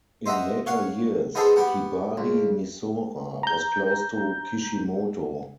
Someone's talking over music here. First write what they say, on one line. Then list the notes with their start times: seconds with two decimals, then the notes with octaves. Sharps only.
In later years Hibari Misora was close to Kishimoto.
0.26 C5 D#5 E5 F#5 A#5
0.66 C#5 F5 F#5
1.35 B3 D#4 G#4 A4 C5
1.56 B3 G4 F#5
2.17 C#2
3.43 A#5 G6